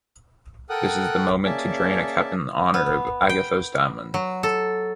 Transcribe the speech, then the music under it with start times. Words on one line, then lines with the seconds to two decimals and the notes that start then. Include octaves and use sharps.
This is the moment to drain a cup in honor of the "Agathos Daimon".
0.70 A4 A#4 F#5 G5 D#6 F#6
1.45 A#3 C#4 G#4 D5 E5 A5
2.74 B3
3.29 G5
4.14 F#3
4.43 A4